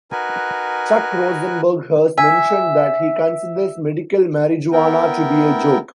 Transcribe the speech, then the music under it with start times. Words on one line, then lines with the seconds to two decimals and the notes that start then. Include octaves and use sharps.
Chuck Rosenberg has mentioned that he considers medical marijuana to be a joke.
0.11 D#4 F#4 A#4 B4 G#5
2.18 E5 G#5
4.72 B3 E4 A#4 G5